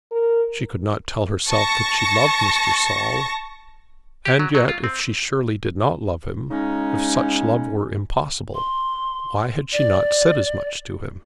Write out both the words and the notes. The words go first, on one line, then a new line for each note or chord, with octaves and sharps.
She could not tell herself that she loved Mr. Saul; and yet if she surely did not love him--if such love were impossible--why had she not said as much to him?
A#4
A5 C#6 A#6
G4
F#3
F#3
F4
C4
C#3 G#3 C#4 D#4
C6
D5